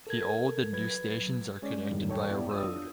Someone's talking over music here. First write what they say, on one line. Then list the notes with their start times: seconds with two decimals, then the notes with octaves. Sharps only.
The old and new stations are connected by a road.
0.07 A4 A#4 G#6
0.73 F#3 B4 G#6
1.62 G#3 C#4 D5
1.91 E2 G2 A#2 D#3 G3
2.10 A4 C#5 G5
2.30 F#2 B3 E4 G4 D5
2.50 D4 F4 D#6 E6